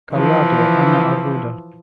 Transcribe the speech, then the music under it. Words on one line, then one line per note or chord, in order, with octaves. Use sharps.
Callado, Ana Arruda.
E3 F3